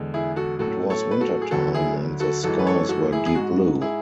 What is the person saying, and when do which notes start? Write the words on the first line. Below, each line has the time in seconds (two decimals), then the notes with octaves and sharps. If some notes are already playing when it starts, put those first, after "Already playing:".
It was wintertime, and the skies were deep blue.
Already playing: E2 D3 G#3
0.14 E4 G#4
0.36 F#4 A4
0.59 A2 F#3 F#4 A4
0.90 A4 C#5
1.11 B4
1.21 F#4 A4
1.42 G#4
1.51 D2 D3 F#3 F#4 A4
1.75 E4 G#4
2.20 F#4 A4
2.43 F#2 E3 G#3 F#4 A4
2.59 B4
2.66 A4 C#5
2.89 F#4 A4
3.12 E4 G#4
3.26 G#4
3.35 G#2 G#3 F#4
3.82 E4 G#4